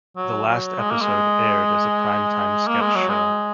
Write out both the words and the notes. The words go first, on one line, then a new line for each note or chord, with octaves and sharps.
The last episode aired as a primetime sketch show.
F#3
F#3
G#3
A#3
G#3
A#3
G#3
F#3
G#3